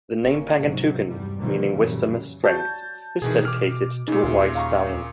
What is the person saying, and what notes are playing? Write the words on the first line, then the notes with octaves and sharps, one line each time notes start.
The name "Pangantucan", meaning wisdom and strength, is dedicated to a white stallion.
G#1 A#3 C#4
G#2 C3 F#3
E2 G2 G3
B2 D3 D#3 F3 G3 A#3
F#2 A#2 C#3 E3 F#3 G3
F#4 D5 A5 G6
B2 D#3 E3 G#4
D6 F6
A#2 C#3 D#4
D#2 F#4 E5 C6
F5 A#5 C#6